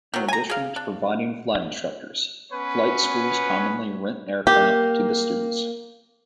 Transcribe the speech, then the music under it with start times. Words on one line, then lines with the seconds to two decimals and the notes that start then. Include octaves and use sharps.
In addition to providing flight instructors, flight schools commonly rent aircraft to the students.
0.14 D#3 F#3
0.28 G#5 A#5
0.50 G#4 F5
0.76 D4
2.52 B3 C#4 B4 C#5
4.47 A#3 G4